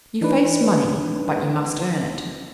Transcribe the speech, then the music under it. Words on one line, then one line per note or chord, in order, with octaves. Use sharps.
You face money, but you must earn it.
E3 D4 D#4 B4